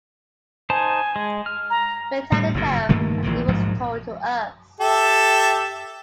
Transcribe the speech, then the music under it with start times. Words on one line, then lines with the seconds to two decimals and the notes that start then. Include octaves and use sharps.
We tell the tale as it was told to us.
0.70 D#4 C5 G#5 A5
1.16 G#3
1.46 F6
1.70 A#5
2.32 A2 G3
2.54 F#1 G2 A#2
2.89 G2 D#3 A3 A#3
3.23 A#1 A#2 E3 F3
3.48 A#1 G#2 F3 F#3
4.81 G4 A4 E5